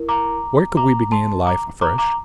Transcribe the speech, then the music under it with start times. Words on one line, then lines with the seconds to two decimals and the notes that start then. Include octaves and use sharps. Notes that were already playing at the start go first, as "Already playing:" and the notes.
Where could we begin life afresh?
Already playing: E4 A#4
0.09 A#5 D6
0.77 A#5 D6
1.12 A5 C6
1.47 A#5 D6
1.81 A#5 D6
1.98 A#5 D6